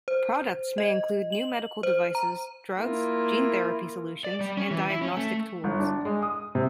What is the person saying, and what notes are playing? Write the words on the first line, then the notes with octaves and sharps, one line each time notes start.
Products may include new medical devices, drugs, gene therapy solutions and diagnostic tools.
C5
D#5
F#7
C5
A#5
A#3 E4 F4 A#4
D5
G3
C#4
E3
E4
C#4
A3
G1
D4
G#3
D#6
C3